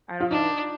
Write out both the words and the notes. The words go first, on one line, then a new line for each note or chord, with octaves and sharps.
I don't know
F4
D4 D#4